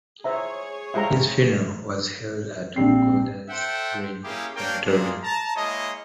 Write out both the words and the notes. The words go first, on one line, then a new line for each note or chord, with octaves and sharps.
His funeral was held at Golders Green Crematorium.
G#4 C5 C#5 E5 A#5
G3 G#3 C5 E5 F5 A#5
A#1 G3 C4 C7
A4 C5 E5 F#5 G5
A#3 C#4 E4 G4 G#4
A#3 D4 A#4 C#5 G5
G#3 A#3 C4 D4 F4 G#4
A5 A#5
G#3 A#3 E4 C#5 D#5